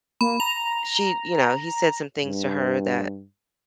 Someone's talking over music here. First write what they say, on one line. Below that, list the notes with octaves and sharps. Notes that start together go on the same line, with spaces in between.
she you know, he said some things to her that
A#3 B5
A#5 F7
G2